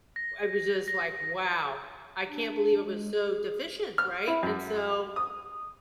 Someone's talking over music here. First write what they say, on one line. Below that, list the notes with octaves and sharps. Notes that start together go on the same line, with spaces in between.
W I was just, like, wow, I can't believe it was so deficient, right? And so,
A#6
A#6
D4
G#3
G#4
F6
E4
F#2
D#6